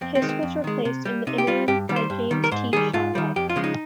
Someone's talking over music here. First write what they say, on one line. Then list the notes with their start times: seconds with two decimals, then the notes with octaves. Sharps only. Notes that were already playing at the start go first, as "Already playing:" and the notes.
Hiss was replaced in the interim by James T. Shotwell.
0.01 F2 C4
0.15 C4
0.22 D#3 G#3
0.29 C4
0.43 F2
0.64 D#3 G#3
0.85 C3
1.05 G3
1.27 C3 D#4
1.38 G4
1.47 G3 F4
1.68 G2 G4
1.89 D#3 G3
1.96 C5
2.10 G2
2.31 D#3 G3
2.44 A#4
2.52 G#2 C5
2.73 D#3 G3 G#4
2.93 G#2 F4
3.15 D#3 G3
3.36 F2 G4
3.50 F4
3.56 C#3 F3 G#3
3.64 D#4